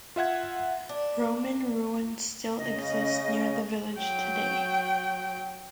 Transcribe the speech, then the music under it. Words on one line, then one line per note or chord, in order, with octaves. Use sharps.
Roman ruins still exist near the village today.
F4 E5 F#5 G#6
D4
C#3 D#5
F#3 G5